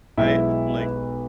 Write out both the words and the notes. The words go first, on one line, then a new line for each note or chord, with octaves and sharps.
I, uh, like,
B1 B2 G#3 E4
B4